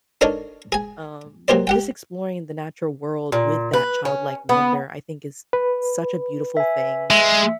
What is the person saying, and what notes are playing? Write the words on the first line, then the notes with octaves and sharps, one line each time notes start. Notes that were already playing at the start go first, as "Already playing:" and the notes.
Um, just exploring the natural world with that childlike wonder, I think, is such a beautiful thing,
D4 D#4 A4 A#4 C#5 D5
G#4 G#5
F#3 A#3 G4 C5 D5
G4 F#5 G5
A#2
B4
C#4
B3
B4
E5 G#5
G#3 E5